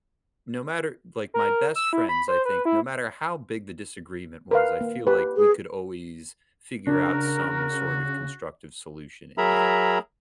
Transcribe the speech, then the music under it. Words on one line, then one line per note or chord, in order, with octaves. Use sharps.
no matter like, my best friends, I think no matter how big the disagreement was, I feel like we could always figure out some sort of constructive solution in the end.
A#4
E6
E4
B5
C5
B4
E4
A#4 B4 F5
A#3
G4 B4
G#4
C#3 D4 F#4 A#4
F#3 G#4 A#4 E5 A#5 B5